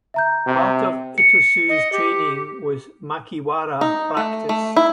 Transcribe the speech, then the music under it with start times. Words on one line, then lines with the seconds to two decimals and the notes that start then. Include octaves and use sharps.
Part of Itosu's training was makiwara practice.
0.14 E5 A#5 G6
0.47 C3
1.18 C#7
1.69 D#5
1.92 G4
3.81 D#4
4.17 A3
4.49 A3
4.76 E4